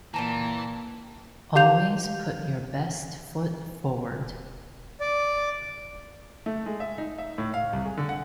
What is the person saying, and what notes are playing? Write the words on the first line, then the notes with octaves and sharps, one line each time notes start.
Always put your best foot forward.
A#2 E3 G5 A5 A#5
G4 F5 G6 F7
D5
A3
G#3
E5
D#4
E5
A2
F5
C2
G#4
D3
F#5